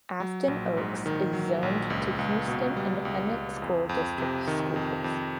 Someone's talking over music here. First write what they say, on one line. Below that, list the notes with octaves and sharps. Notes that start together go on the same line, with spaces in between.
Afton Oaks is zoned to Houston Independent School District schools.
F#3
A#1
G#2
D#3
F#3
A#1
C#2
C#2
B2
G3
C#2
C#2
F2
F2
C3
D#3
F2
F2